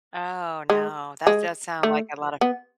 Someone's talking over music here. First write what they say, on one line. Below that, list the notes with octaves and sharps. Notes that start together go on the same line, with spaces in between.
Oh, no. That does sound like a lot of
G#3
G#3
A3
B3